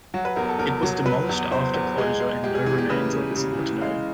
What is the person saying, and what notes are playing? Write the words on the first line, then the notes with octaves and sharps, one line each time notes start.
It was demolished after closure and no remains are visible today.
F#3 F#4
B4
E2 A#4
A4
E2 A#4
F#3
F#3 B4
E2
E2 C5
E2
G#3 G#4
G#3
G#3 G4
G#4
E3 G#4
G4
C#3 B4
C#3
C#3
E3
G#3 F5